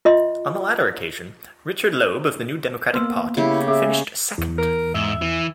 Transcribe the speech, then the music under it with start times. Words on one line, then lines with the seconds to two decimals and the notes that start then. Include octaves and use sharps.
On the latter occasion, Richard Loeb of the New Democratic Party finished second.
0.05 F4 D#5 E5 C6
2.93 A#3 B3 B4 C6 E6
3.37 C#3 E4 G4
3.68 C#4 G#4 E5
4.38 E2
4.58 A#4
4.95 G#2 E5
5.22 E3